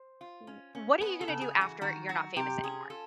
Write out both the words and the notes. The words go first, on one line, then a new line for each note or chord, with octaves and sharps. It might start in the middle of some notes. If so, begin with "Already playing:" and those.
W what are you gonna do after you're not famous anymore?
Already playing: C5
F4
C#4
C#4
B3 B4
A4
C#3
G#4
E3
F#4
D#3 F#4
F#3 F#4
C3 G4
C#4 G#4
F4 A4